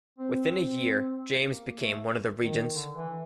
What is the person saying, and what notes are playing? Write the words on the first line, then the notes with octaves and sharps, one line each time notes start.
Within a year James became one of the regents.
C4
C4
A#3
A3
D#3
D3
E3